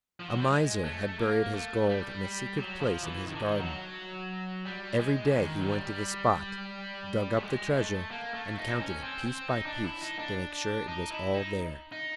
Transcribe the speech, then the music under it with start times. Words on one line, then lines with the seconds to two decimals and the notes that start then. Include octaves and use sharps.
A Miser had buried his gold in a secret place in his garden. Every day he went to the spot, dug up the treasure and counted it piece by piece to make sure it was all there.
0.20 F3
0.29 F#3
0.40 G3
0.50 G#3
0.84 A3
1.19 A#3
1.54 A3
1.89 G3
2.58 F#3
2.81 F3
3.04 E3
3.27 D#3
3.35 D3
3.42 D#3
3.61 F#3
4.65 G3
5.00 G#3
5.25 D3
5.34 D#3
5.60 F#3
5.69 G3
7.36 A3
7.42 G#3
7.77 A3
8.11 A#3
8.34 A3
8.57 D#4
8.69 C4
8.80 C#4
9.03 C4
9.26 C4
9.49 D#4
9.66 D4
9.84 E4
10.01 D#4
10.19 D4
10.88 D#4
11.11 E4
11.34 D#4
11.92 D#4